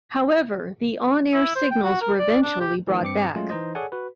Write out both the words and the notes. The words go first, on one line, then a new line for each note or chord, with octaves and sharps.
However, the on-air signals were eventually brought back.
E4
C5
G5
F#4
A#4
D5
D4
G4
E3 A3 D4
G2 C4 D6 C#7
F#3 G#3 A3 C#4 F4
E3 D#4 C5 D#5
G#4 A4 C#5 D5 F#5 G#5
F#4 B4